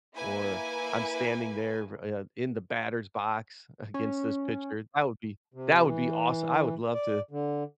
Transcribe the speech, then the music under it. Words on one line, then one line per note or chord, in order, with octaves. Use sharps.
or I'm standing there, uh, in the batter's box against this pitcher that would be that would be aweso I would love to
A#3 E4 B4 G#5
C#4
C3
E3
D5
D3